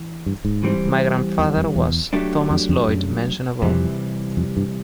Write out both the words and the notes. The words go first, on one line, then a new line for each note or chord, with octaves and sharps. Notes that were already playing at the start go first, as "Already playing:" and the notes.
My grandfather was Thomas Lloyd mentioned above.
Already playing: E3
G2
G#2
E3 G3 C4
E2
F2
E2
F#3 A3 D4 G4
F2
F2
F#2
F2 C3 E3 G3
F2
G2